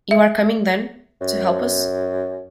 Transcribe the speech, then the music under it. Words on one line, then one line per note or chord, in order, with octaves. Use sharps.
You are coming, then, to help us?
E5
F#2